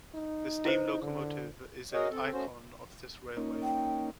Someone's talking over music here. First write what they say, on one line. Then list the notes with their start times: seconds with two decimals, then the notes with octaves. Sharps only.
The steam locomotive is an icon of this Railway.
0.14 D#4
0.65 E4 B4 C5
1.02 D3
1.93 F#4 G#4 A#4 C#5 D#5 F#5
2.11 C4 A4
2.32 A3 C#4 F#4 C5
3.37 A#3 C#4 D#4
3.63 G5